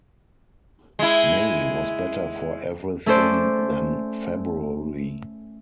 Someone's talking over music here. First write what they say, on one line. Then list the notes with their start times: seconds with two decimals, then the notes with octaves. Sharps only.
May was better for everything than February.
0.99 G#3 E4
3.06 A3 C#4 A4 C5 D5